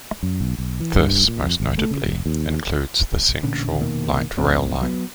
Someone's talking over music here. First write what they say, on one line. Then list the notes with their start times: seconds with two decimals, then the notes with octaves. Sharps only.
This, most notably, includes the Central Light Rail line.
0.23 F#2
0.40 B1
0.58 B1
0.80 E3
0.99 G2
1.28 A#2
1.42 F2
1.60 G#1
1.78 A3
1.91 C#3
2.04 F1
2.26 D#2
3.43 A1 A#2 D3 C#4
3.81 F1 B2 D#3 A#3
4.38 A#1 F#2 A2 C4
4.81 F#3 B3